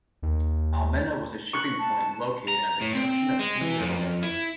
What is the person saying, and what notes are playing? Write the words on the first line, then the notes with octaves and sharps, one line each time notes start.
Almena was a shipping point located at the junction of two railroads.
D#2
C#6 F#6
A5
A#5
A2
C4
G#3
E3
F2
E4